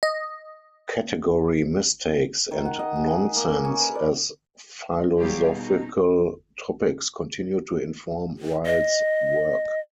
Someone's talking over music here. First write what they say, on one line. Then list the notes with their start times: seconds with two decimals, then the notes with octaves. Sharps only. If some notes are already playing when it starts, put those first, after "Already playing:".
Category mistakes and nonsense as philosophical topics continued to inform Ryle's work.
0.03 D#5
2.51 D#3
2.65 F#5
2.79 D#5
2.96 G#4
3.10 G#4
3.36 A#3
3.51 C#4
3.65 C#4
3.79 B4
3.95 D5
5.19 F#3 G3 G4 G#4 F5
5.52 B2 D#4
8.66 D#5